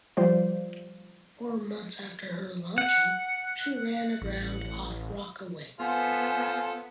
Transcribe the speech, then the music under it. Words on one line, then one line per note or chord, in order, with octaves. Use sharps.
Four months after her launching, she ran aground off Rockaway.
F3 G3 F4 C5 D5
F#5
A1
B3 F4 A4 C5 G#5